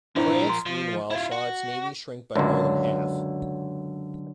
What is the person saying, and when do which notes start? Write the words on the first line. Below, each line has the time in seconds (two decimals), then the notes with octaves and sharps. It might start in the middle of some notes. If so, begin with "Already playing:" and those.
France, meanwhile, saw its navy shrink by more than half.
0.16 F3 D4 E4 A#4 C5
0.49 C6
0.66 F3
1.11 E4 F4
1.32 F#4
2.36 C#2 F#2 D3 F#3